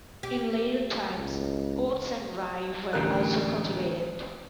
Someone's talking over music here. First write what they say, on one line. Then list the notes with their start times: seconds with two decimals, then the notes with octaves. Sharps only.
In later times oats and rye were also cultivated.
0.23 G4
1.14 C#2
2.93 A1 D2 G3 A#4 F#6